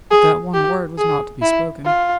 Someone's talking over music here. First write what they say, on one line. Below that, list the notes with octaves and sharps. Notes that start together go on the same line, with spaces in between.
But that one word was not to be spoken.
G#4
G4
G#4
E4
F4